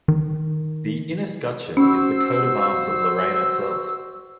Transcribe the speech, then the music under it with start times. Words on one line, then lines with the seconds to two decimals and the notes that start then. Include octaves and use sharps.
The inescutcheon is the coat of arms of Lorraine itself.
0.08 D#3
1.77 C#4 F#4 C5 E6